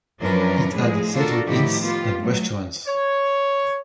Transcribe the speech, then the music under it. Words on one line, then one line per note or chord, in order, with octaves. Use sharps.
It had several inns and restaurants.
F#2 F3 C#4 D4 A#4 B4
A2 F3 G#3 G#4
D4 F4 F#4 A4 A#4
A2 D#3 F3 E4 F#4 G4
B3 F4 G4
F#3 A3
C#5